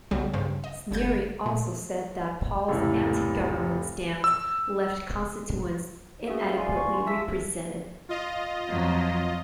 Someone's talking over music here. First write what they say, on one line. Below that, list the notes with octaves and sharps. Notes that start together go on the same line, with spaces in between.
Sneary also said that Paul's anti-government stance left constituents inadequately represented.
B1 C#3 F#3 G3
G2 C#3 C4
D#5
G1 C#3 G6 G#6
A#2
F1 C#2 A2 E4
E6
C#4 F#4 G#4 E5
F5
D5 G#5 C6
G#5 C#6
F4
E5 A5 E6 B6
F4 D#5
F2 F#3